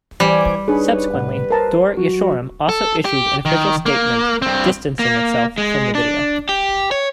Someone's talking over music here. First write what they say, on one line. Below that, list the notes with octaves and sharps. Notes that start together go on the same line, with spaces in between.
Subsequently Dor Yeshorim also issued an official statement distancing itself from the video.
E3 G3 C5 G#5 D6
D4 D#4 G#4 B4 C#5
A2 C3 F#5
A#4 C5 A5 A#5
F#3 F#4
A4
G4
D#3
A#3
G2 C4
A#3
G#3
D4
G4
C#5